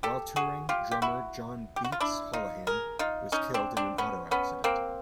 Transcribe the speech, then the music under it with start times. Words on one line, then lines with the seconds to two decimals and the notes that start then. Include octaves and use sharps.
While touring drummer John "Beatz" Holohan was killed in an auto accident.
0.03 G4 A4
0.36 F#4 G#4
0.69 F4 G4
0.91 G4
1.02 E4 F#4
1.76 G4
1.84 F#4
1.92 F4
2.00 D4 E4
2.33 D#4 F4
2.67 G#4 A#4
2.99 D#4 F4
3.32 C#4 D#4
3.54 C4 D4
3.77 C4 D4
3.98 B3 C#4
4.31 B3 C#4
4.64 A#3 C4